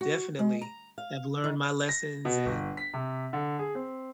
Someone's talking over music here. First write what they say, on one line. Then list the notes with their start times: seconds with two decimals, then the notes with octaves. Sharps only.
definitely have learned my lessons and
0.01 F#4
0.39 G#3
0.61 A#5
0.98 F5
1.44 D#3
1.89 A#6
2.25 B2
2.46 G1
2.77 B6
2.93 C3
3.33 D3
3.59 G#4
3.75 C4